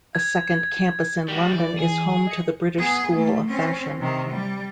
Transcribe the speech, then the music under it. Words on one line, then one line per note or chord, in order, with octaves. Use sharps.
A second campus in London is home to the British School of Fashion.
G#6
G3 F#4
E3 D5
G#4
D#5 C#7
B3 G#4
A3 A#3
C4 C#4
C3 D#3
G3